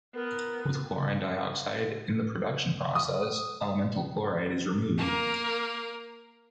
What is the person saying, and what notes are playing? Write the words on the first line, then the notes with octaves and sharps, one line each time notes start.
With chlorine dioxide, in the production process, elemental chloride is removed.
B3 A#4
D#6
A#3 A#4